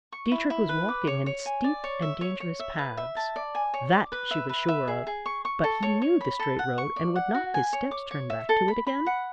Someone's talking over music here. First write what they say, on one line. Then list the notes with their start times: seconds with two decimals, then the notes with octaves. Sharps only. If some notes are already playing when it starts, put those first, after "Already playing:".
Dietrich was walking in steep and dangerous paths; that she was sure of, but he knew the straight road and would not his steps turn back to it again?
0.12 C#6
0.32 E4
0.50 E4
0.69 B4
0.88 D6
1.07 C#5
1.26 C#5
1.46 G#5
1.64 D5
1.84 C#5
2.02 E5
2.21 C#5
2.40 C#5
2.59 E5
2.78 B4
2.97 E5
3.17 A5
3.36 D5
3.55 G#5
3.74 C#5
3.92 D6
4.12 B4
4.31 E5
4.49 B4
4.68 E5
4.88 G#4
5.07 G#4
5.26 C#6
5.45 C#6
5.64 A4
5.83 C#5
6.02 C#5
6.21 B5
6.39 A4
6.59 F#5
6.78 C#6
6.96 D5
7.16 F#5
7.34 F#4
7.54 G#5
7.73 C#5
7.91 D6
8.11 C#5
8.30 E5
8.49 A4
8.68 B5
8.87 B5
9.06 F#5